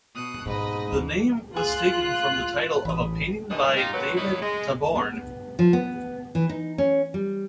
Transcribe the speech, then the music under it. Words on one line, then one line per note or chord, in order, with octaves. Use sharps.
The name was taken from the title of a painting by David Taborn.
B2 D#6 F#6
G#1 G#2 B2 B4 D#5
D#2 E3
F4 G#4 F#6
A1 B5 D#6
D#2 D3 E3 D4 D#4 D#5
D#4 F4 G4
F2 A#2 F#3 F#4 B4
D#2 F#3 D#4 E4 C#5
G#3
B3
F3
B3
E3
D#4
C#4
G3